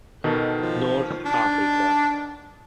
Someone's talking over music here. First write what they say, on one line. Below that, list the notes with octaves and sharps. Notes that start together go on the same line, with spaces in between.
North Africa.
B2 D#3 A4
F3
D4